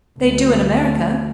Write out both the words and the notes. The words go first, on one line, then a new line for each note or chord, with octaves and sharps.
"They do in America."
D2